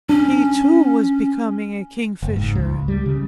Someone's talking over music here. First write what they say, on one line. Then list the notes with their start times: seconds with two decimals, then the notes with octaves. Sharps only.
He too was becoming a Kingfisher.
0.09 C#4 D4
2.23 F#1
2.36 G#2
2.55 C#2
2.88 G3
3.06 C#3